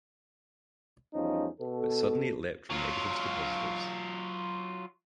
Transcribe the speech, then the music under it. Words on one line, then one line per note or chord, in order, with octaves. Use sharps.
But suddenly it leapt from negatives to positives.
E2 F3 G3 C#4 D#4
B2 B3 A4
F#3 F4